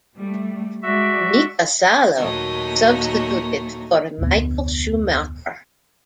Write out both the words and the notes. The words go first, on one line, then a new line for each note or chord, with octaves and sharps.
Mika Salo substituted for Michael Schumacher.
G3 A3
G#3 F#4 D5 E5
D#2 A#2 F#3 A3 D#4
F1 D2 B2